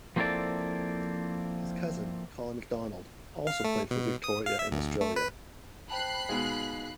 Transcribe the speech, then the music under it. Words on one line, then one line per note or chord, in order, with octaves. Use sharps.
His cousin, Colin McDonald, also played for Victoria and Australia.
F3 A#3 C4 E4 A4 D5
F5
A3
B2
D#6
F5
E5
D2
A3
B4
C5 G5 A5 B5 F#6 C7
B2 G#3 D#4 F5